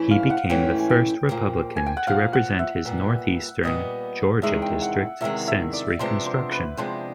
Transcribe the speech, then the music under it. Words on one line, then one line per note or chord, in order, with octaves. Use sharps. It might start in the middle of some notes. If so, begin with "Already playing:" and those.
He became the first Republican to represent his northeastern Georgia district since Reconstruction.
Already playing: G#2 E3 A3 C#4 E4
F5
F#5
G#2 E3 A3 C#4 E4 G5
G#5
G5
A#2 F3 A#3
G#5
G5
F#5
A#2 F3 A#3 F5
F#5
E5
A#2 G3 B3
A#2 G3 B3 D#5
E2 C3 D#3 G#3 E5
G5
F#5
E2 C3 D#3 G#3 E5
E5
D5
C3 F3 G#3 B3 D4 C5
C5
B4
C3 F3 G#3 B3 D4 C5